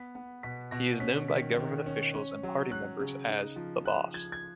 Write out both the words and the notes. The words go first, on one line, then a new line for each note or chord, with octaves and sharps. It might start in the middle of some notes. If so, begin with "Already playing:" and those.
He is known by government officials and party members as "the Boss".
Already playing: B3 B6
B3
B2 B6
B2 A#6
C#4 B6
D#3 B6
D#3
C#4
C#4
F#3
C#4 F#6
C#3
D#4
F3
F3 F#6
F3 G#6
G#6